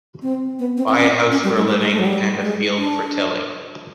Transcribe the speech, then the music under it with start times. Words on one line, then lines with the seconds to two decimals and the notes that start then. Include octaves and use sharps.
Buy a house for living and a field for tilling.
0.23 C4
0.59 B3
0.77 C4
0.88 C4
0.95 C#4
1.32 C#4
1.44 G3
1.57 G#3
1.68 G#3
1.80 G#3
1.92 A3
1.99 F#3
2.05 G3
2.42 G#3
2.78 D4